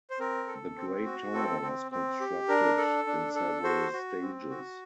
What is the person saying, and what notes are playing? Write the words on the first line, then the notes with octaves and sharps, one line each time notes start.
The Great Tower was constructed in several stages.
C5
C4 A#4
A4
C4
F#4
C4 A4
C4
C4
G4
D4 A#4
A4
D4
A4
F#4 C5
F#4
C4
F#4